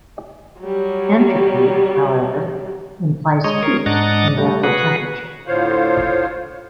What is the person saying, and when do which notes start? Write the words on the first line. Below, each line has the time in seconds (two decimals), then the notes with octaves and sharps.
Entropy, however, implies heat and therefore temperature.
0.61 F#3 G3
3.44 G#3 C#5 D#5
3.63 G#4 A#4 C#5
3.86 G#2 D4 D#5 F#5 A#5 A6
4.38 G3 A3
4.64 F#4 G#4 B4 F#5
5.47 A2 D3 F4 C5 C#5 F5